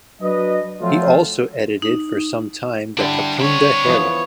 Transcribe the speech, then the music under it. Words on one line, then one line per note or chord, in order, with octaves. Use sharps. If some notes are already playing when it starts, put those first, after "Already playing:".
He also edited for some time the "Kapunda Herald".
F#3 D4 B4 D#5
F3 F#3 A3 C4 F4
D#4
D3 G3 D4 E4 G4
C4 C#5 B5
E3 F3 B3